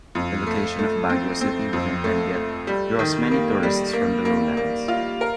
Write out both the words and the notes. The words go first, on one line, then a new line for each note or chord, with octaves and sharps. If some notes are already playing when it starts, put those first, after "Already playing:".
The location of Baguio City within Benguet draws many tourists from the lowlands.
F2
A3
A3
C4
C4
F2
A3
A3
G3
D#3
A#3
G3
A#3
A#3
A#3
F4
A#4